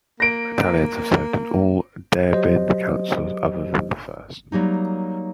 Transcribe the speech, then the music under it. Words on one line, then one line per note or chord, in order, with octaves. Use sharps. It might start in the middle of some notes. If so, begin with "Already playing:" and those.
Italians have served in all Darebin Councils other than the first.
A#3 A#6 D7
F#3 G4 C5 D#5
F#3 G3 A#3 D#4